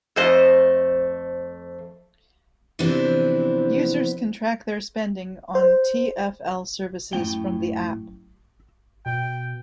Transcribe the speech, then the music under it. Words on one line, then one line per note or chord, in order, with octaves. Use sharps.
Users can track their spending on TfL services from the app.
F2 A3 C5 D#5
C3 E3 F3 B3 C4 D4
C5
F#2 A2 A3 G5
B2 G5